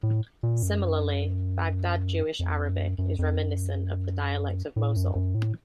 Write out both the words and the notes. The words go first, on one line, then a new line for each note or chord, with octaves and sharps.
Similarly, Baghdad Jewish Arabic is reminiscent of the dialect of Mosul.
A2
A#2
F#2
F2
F#2
F#2
F2
F#2
A2
F#2
F#2
A2